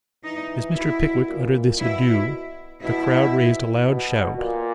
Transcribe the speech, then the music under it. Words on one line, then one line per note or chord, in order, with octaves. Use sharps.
As Mr. Pickwick uttered this adieu, the crowd raised a loud shout.
E3 D#4
B2 E4
A#2
B2 E4
B2 E4
B2
A#2